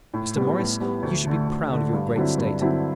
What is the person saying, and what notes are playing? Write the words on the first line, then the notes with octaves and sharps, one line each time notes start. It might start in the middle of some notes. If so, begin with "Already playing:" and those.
Mr. Morris, you should be proud of your great state.
A2
G3 B3
A2
G3 B3
D2
D3 A3
D2
D3 A3
G2
D3 F#3 C4 E4
G2
D3 F#3 C4 E4